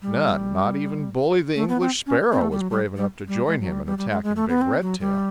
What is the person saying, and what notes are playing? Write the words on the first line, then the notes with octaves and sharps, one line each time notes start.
But none, not even Bully the English Sparrow, was brave enough to join him in attacking big Redtail.
G3
A3
B3
C4
C#4
C4
A3
G3
F#3
G3
G3
G3
G#3
F#3
G3
G3
G3
G#3
G#3
A3
B3
C4
F#3
G3